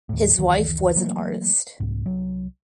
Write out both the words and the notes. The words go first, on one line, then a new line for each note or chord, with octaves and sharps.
His wife was an artist.
D#2 A2
F#1 D2 D#3 E3
E3 F#3 A3 A#3
C2 G#2
C2 F#3